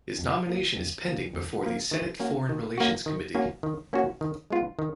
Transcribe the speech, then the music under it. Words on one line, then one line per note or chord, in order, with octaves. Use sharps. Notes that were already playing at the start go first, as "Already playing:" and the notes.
His nomination is pending before the Senate Foreign Relations Committee.
F2
F3 A#3
F2
F3 A#3
F2
F3 A#3
D#3
A#3 C#4 F#4
D#3
A#3 C#4 F#4
D#3
A#3 C#4 F#4
D#3
A#3 C#4 F#4
D#3
G#3 B3 F4
D#3